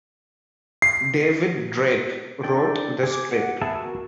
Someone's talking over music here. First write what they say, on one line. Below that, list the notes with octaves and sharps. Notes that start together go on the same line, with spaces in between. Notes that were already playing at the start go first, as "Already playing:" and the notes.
David Drake wrote the strip.
C7
D4 A4 G5
G#4 D6
F#5
B3 G#4 E5 F#5 A5
F#4 A#4